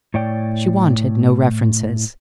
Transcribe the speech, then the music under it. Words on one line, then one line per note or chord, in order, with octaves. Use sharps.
She wanted no references.
A2 C#5 D5 G5